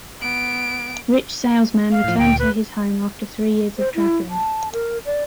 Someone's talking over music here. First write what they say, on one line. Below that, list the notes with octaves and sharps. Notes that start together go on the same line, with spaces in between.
Rich salesman returned to his home after three years of travelling.
B3 D7
F5
A2 F3
D2 A#2 G5
B4
C5
E4
A5
A#4
D5